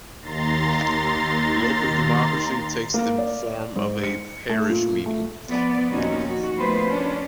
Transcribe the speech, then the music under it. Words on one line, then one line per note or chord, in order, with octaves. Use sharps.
Local democracy takes the form of a Parish Meeting.
D#2 A#5 C6 A6
A#3
D5
G#2
C#7
A3
A#2
A3
F3 B3 D5
D#2 A#2 F3 C#4 D#4 F#4
F#4
D#2 F3 A3 B3 B4 C5
C#4 D4